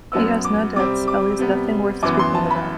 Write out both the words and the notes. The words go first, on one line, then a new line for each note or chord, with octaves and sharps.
He has no debts — at least, nothing worth speaking about.
F#2 F#3 B3 E6
D6
C3 G3 C4 D6
D6
C3 G3 B3
F#2 E3 B3 D6
C6
A5
B5